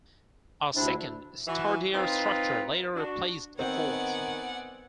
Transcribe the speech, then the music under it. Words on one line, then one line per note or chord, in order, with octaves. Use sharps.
A second, sturdier structure later replaced the fort.
D2 C3 D4 E4
E3 F#4
C4 D#4 F4 B4
D4 F#4
D#3 B3 C4 D5 F#5 G#5